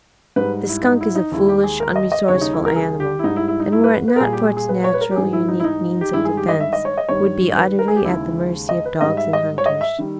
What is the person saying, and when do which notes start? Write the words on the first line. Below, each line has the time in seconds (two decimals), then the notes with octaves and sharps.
The skunk is a foolish, unresourceful animal and were it not for its natural, unique means of defense, would be utterly at the mercy of dogs and hunters.
0.36 G#2 G3 B4
0.69 E4
0.84 D#4
1.01 E4
1.15 D#4
1.32 D#2 D#3 G#3 E4
1.49 G4
1.64 G#4
1.80 A#4
1.96 D#5
2.12 D#5
2.28 D#2 C#3 G3 C#5
2.41 D#4
2.53 E4
2.66 A#4
2.76 G#4
3.00 G4
3.19 E4
3.24 G#2 G3 D#4
3.36 E4
3.48 E4
3.60 D#4
3.72 E4
3.84 B4
4.08 B4
4.16 A#4
4.20 A#2 G3 G#4
4.33 G4
4.45 G#4
4.57 G#4
4.69 B4
4.84 C#5
4.94 B4
5.01 A#4
5.11 G4
5.16 G#2 E3 G3 G#4
5.33 E4
5.48 D#4
5.60 E4
5.64 D#4
6.01 G4
6.13 G2 D#3 G#3 E4
6.25 G#4
6.37 G4
6.49 D#5
6.60 E5
6.73 D#5
6.85 C#5
6.98 D#5
7.09 G2 D#3 G3 C#5
7.57 B4
7.79 A#4
7.88 G#4
7.96 G4
8.05 D#2 C#3 G#3 E4
8.69 D#5
8.85 B4
9.01 G#2 G3 D#5
9.17 E5
9.33 D#5
9.58 C#5
9.66 D#5
9.81 E5
9.99 D#3 G3